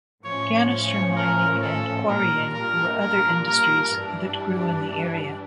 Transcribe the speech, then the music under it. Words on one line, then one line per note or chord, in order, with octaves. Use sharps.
Ganister mining and quarrying were other industries that grew in the area.
A2 F3 C#4 C#5
C#5
A#4
A4
A#2 G3 D4 F4 A#4
A#4
A#4
A#4
G2 E3 G3 D4